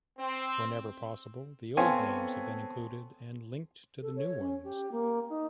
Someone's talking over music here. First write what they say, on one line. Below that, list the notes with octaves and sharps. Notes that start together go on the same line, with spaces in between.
Wherever possible, the old names have been included and linked to the new ones.
C4
B3 C4 A4 C#5 F5 G#5
A4
C#5
C#4
G4
A#3
D#4